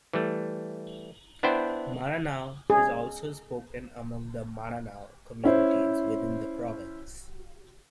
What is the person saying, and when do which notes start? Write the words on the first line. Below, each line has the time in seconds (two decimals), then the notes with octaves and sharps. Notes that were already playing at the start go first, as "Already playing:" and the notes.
Maranao is also spoken among the Maranao communities within the province.
0.13 E3 G3 A3
1.43 B3 D4 E4 C5 G5
2.70 G#4
5.44 C#4 E4 C5